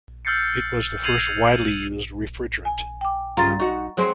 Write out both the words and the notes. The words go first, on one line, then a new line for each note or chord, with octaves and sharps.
It was the first widely used refrigerant.
E6 F6 G6 A6 C7 C#7
G#6 A6 C7 D#7 F7 F#7
G#5
G5 D6
G2 C#3 F4 A#5 A6
D#4 F#4 C#6
F#3 G#3 C4